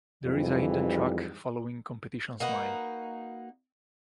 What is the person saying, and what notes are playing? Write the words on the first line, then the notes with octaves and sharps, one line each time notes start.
There is a hidden track following "Competition Smile".
F2 G#2 E3 G3
A#3 D#4 F#4 B4